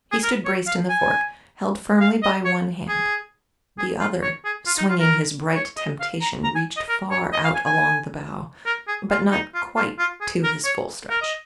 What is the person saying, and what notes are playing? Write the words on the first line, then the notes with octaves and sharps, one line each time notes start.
He stood braced in the fork, held firmly by one hand--the other, swinging his bright temptation, reached far out along the bough, but not quite to his full stretch.
G#4
A#4
C#5
F5
G#5
F5
D#5
C#5
G#4
G#4
F4
C#5
G#4
F4
D#4
F4
A#4
C#5
D#5
F5
A#5
A#5
G#5
D#5
A#4
C#5
D#5
F5
G#5
G#5
A#4
G#4
F4
D#4
F4
F4
F4
G#4
A#4
C#5
A#4
D#5